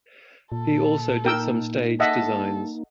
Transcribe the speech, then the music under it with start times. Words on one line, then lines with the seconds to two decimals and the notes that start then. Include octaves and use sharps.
He also did some stage designs.
0.52 A#2 A4
1.25 A#3 D#4 A#4 G5 E6
2.00 A4 D#5 E5 F#5